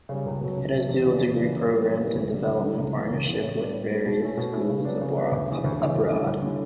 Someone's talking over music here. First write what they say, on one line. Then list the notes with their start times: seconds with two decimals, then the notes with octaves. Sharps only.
It has dual degree programs and development partnerships with various schools abroad.
0.09 C#3 G3
0.26 C#2
0.41 B2 F#3
0.57 C#2
0.72 B2 F#3
0.89 E2
1.05 C#3 E3 B3 D4
1.20 E2
1.36 C#3 E3 B3 D4
1.52 F#2
1.68 E3 G3 B3
1.84 F#2
2.00 E3 G3 B3
2.15 D2
2.32 D3 G3
2.47 D2
2.63 D3 G3
2.79 C#2
2.95 C#3 E3 B3
3.10 C#2
3.26 C#3 E3 B3
3.42 A2
3.58 G3 B3 D4
3.74 A2
3.89 G3 B3 D4
4.06 B2
4.21 A3 C#4 E4
4.37 B2
4.52 A3 C#4 E4
4.69 C#3
4.84 F#3 B3 D4
5.01 C#3
5.16 F#3 B3 D4
5.32 D2
5.48 C#3 E3
5.64 D2
5.79 C#3 E3
5.96 D2
6.11 D3 G3 C#4 E4
6.27 D2
6.42 D3 G3 C#4 E4